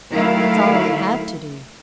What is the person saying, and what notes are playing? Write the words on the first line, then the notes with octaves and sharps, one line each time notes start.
That's all I have to do.'
D#3 F#3 A3 E4 F5